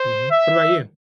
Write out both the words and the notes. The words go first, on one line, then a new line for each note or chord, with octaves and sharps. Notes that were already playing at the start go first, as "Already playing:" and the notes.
Mhm. What about you?
Already playing: C5
E5